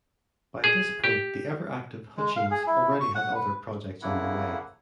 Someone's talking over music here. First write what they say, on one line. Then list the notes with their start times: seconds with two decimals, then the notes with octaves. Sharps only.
By this point the ever active Hutchings already had other projects underway.
0.64 G#4
1.04 G4
2.17 G#3
2.36 F5
2.51 G#4
2.67 E4
3.01 C#6
3.15 F#5
3.35 B4
4.02 F2 C#3 A#3 E4 F#5